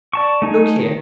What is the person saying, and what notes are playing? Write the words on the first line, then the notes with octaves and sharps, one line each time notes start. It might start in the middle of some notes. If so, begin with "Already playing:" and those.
Look here!
D5 A5 C#6
A3 D#4 G#4
D#3